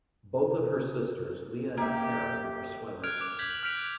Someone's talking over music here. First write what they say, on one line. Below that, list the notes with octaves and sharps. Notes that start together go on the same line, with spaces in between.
Both of her sisters, Leah and Taryn, are swimmers.
A#3 G4 E5
F6 F#6 G#6 D7 F7
D6
G6 G#6 B6 F#7
F#7
F6 F#6 B6 D7 F7
F7